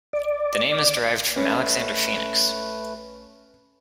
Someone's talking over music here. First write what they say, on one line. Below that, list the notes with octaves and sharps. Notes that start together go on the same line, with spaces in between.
The name is derived from Alexander Phoenix.
D5
A3 C#4 B4